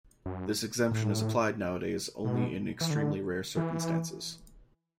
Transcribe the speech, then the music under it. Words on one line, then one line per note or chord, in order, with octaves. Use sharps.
This exemption is applied nowadays, only in extremely rare circumstances.
F#2
A2
B2
E3
D3
E3